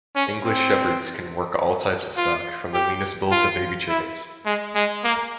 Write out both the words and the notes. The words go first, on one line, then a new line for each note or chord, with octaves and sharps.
English Shepherds can work all types of stock-from the meanest bull to baby chickens.
C#4
C4
F4
G4
F4
E4
G#3
G#3
A#3